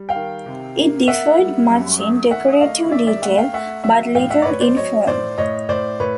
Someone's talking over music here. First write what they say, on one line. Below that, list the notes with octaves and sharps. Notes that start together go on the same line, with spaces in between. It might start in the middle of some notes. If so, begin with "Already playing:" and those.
It differed much in decorative detail, but little in form.
Already playing: G3
F5 G5
D#3
C3
A#3
A#3 E5 F#5
G3
F#2
A3
D#3 E5 F#5
A3 D#5 F5
D#3 D5 E5
D5 E5
A3 E5 F#5
F5 G5
A3 E5 F#5
F#3 E5 F#5
A2 F5 G5
E5 F#5
D5
A2 B4 C#5
C5 D5
F#3 C#5 D#5
A2 C5 D5
A2 C#5 D#5
A2 C5 D5
A2 B4 C#5